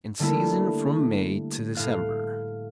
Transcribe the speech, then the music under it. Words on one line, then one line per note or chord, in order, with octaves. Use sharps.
In season from May to December.
D3 G3 A3 A#3 E4
A2 F5 F#6